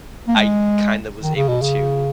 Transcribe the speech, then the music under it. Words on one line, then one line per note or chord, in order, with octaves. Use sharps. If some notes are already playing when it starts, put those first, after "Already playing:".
I kinda was able to
A#3
G#3
D#3
C#3
B2
C#3